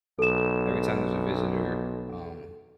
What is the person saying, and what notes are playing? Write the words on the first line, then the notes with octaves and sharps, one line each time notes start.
every time there's a visitor, um,
B1 A4 E7